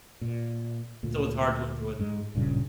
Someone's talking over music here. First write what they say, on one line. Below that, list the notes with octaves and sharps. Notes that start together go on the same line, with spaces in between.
Uh, so, it's hard to enjoy the movie.
A#2
D2 A#2
G#2 G#3
D1 G2 A#2 C#3